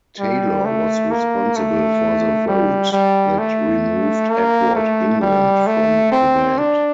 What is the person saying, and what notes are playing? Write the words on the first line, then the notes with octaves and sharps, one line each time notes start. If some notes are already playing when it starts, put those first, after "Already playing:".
Taylor was responsible for the vote that removed Edward England from command.
G3
A3
A#3
A3
G3
G3
A3
A#3
A3
G3
A3
C4
D4